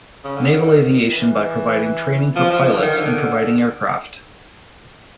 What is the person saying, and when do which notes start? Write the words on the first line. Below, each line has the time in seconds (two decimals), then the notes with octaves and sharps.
Naval Aviation by providing training for pilots and providing aircraft.
0.24 C#3
0.37 D3
0.49 D#3
1.11 E3
2.36 F3
2.50 F3
2.66 E3
2.74 D3
2.82 D#3
2.98 D3